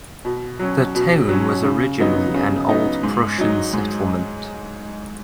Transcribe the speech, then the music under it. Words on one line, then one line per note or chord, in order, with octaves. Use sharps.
The town was originally an Old Prussian settlement.
B2
F#3 C#4
B2
F#3 C#4
C#3
F#3 B3 D#4
C#3
F#3 B3 D#4
G#2
F#3 D#4
G#2